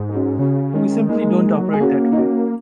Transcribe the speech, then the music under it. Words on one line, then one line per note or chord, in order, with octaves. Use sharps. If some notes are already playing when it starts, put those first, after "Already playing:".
We simply don't operate that way.
Already playing: G#2
G#4
C#4 F#4
C#3 C#4 F#4
D#3 G#3 C#4
G#3 A#3 D#4
F#3
G#3 G#4
A#3 C#4 F#4
D#4
C#4 F#4